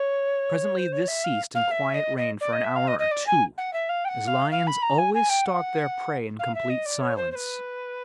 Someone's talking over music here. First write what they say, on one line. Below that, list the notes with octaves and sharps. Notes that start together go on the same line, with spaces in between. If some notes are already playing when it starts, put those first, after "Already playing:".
Presently this ceased, and quiet reigned for an hour or two, as lions always stalk their prey in complete silence.
Already playing: C#5
C5
C#5
E5
F5
F5
E5
D#5
D#5
D5
D#5
E5
F5
D#5
D#5
D5
G#5
F#5
E5
F5
G5
F#5
F5
F5
B5
A#5
G#5
G#5
G5
F#5
F5
E5
D#5
D5
C#5
C5
C5
B4